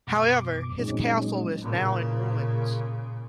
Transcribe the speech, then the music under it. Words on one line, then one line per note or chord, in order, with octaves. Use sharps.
However his Castle is now in ruins.
F#2 B2 D6
A#2 F#3 G#3 C4 C#4 D#4
A#2 C#3